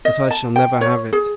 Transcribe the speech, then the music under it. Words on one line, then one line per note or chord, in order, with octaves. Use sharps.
"But I shall never have it."
D#5
A5
G5
C#5
G#4